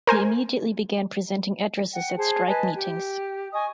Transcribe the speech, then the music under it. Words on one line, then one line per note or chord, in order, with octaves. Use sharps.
He immediately began presenting addresses at strike meetings.
A#4 C5 G#5
F#5 G5
G#4 C5 A5
B4 D#5 G#5 A5
G4
D#5 G#5 C#6 D#6